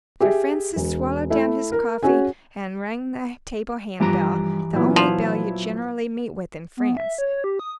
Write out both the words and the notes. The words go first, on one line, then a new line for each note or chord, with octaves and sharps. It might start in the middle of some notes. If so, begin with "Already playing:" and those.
Sir Francis swallowed down his coffee, and rang the table hand-bell--the only bell you generally meet with in France.
G4 G#4 E5
E1
A3 E4
A#4
C#4 F#4 G#4 G#5
G2 E3 F3 G4 A#5
A#2 F#3 B3 E4
F3
B3
E5
C#5
G4
D#6